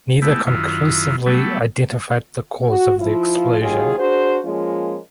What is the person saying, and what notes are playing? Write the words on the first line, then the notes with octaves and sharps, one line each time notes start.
Neither conclusively identified the cause of the explosion.
G#3 A3 B3 E4 G4
F#2 D#3 E4 F4
F#3 G3 A3 B3
F#4
F3 E4 F4
D#2 F#3 F4 G#4
D4 F#4 G#4 C5
F3 G#3 A#3 C#4 F4